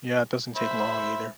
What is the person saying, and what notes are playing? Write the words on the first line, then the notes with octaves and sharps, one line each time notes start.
Yeah, it doesn't take long, either.
C5 E5 B5